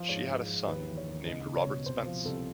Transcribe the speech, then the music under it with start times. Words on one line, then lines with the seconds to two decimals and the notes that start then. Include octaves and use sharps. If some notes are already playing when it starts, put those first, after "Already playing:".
She had a son, named Robert Spence.
Already playing: F3
0.09 G#2 C#5
0.28 G#2
0.48 F3
0.67 D#2 B4
0.88 E3
0.97 C#5
1.08 D#2
1.27 C#2 D#5
1.46 C#2
1.56 C#5
1.67 B2
1.86 C2 C5
2.06 F3
2.25 C2 A4